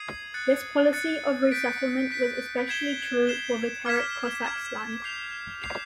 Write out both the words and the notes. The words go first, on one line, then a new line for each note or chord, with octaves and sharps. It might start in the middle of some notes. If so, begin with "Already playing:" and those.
This policy of resettlement was especially true for the Terek Cossacks land.
Already playing: D#6 G#6 C7 D#7 F#7
F#6 A6 C#7
F#6 A6 C#7
G6 B6 D7
G6 B6 D7
G#6 C7 E7 G7
G#6 C7 E7 G7
D6 F6 G#6 B6 E7
D6 F6 G#6 B6 E7
D6 G6 C7 F7
D6 G6 C7 F7